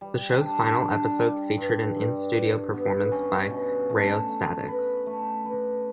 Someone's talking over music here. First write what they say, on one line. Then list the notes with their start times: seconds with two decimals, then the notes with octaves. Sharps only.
The show's final episode featured an in-studio performance by Rheostatics.
0.01 G3
0.41 D4
0.79 D4
1.18 G3
1.57 G2
1.96 G2
2.35 G2
2.74 B3
3.12 C#4
3.50 B2
3.90 A3
4.29 A3
4.68 B4
5.06 A3
5.45 B4